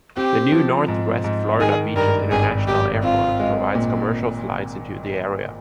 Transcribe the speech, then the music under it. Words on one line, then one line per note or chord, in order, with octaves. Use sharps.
The new Northwest Florida Beaches International Airport provides commercial flights into the area.
C4 G4
F3
G#2
G#2
D#3 G#4
G2 A#4
G#1 G#4
G#1 G4
C4 F4
G#3
A#2